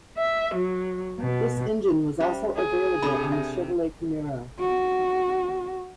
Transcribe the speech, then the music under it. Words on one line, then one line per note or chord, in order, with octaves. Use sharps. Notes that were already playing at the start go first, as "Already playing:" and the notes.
This engine was also available on the Chevrolet Camaro.
E5
F#3
B2
G3 C#4 C5 E5
G#4
C3 D4 A4 B5
E5
F#4